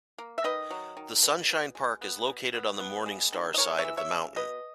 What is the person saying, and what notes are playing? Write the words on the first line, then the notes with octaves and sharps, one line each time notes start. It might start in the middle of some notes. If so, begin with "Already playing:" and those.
The Sunshine Park is located on the Morning Star side of the mountain.
A#3
E5
D#3 B4 D#5
F#3
D#3
B2
B2
G#3
B3
B2
B3
B3
G#3
D#3
D#5
G#3 A#4 C#5
C#5 E5
E3
C#5 E5
C#3
B2 B4 D#5